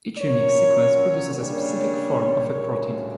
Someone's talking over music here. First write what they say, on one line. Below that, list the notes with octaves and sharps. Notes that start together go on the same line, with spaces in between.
Each unique sequence produces a specific form of a protein.
A#2 F#3 C#4 A#4 C#5
C#3 G3 A#3 D4 A#4 C#5
D2 C#3 G3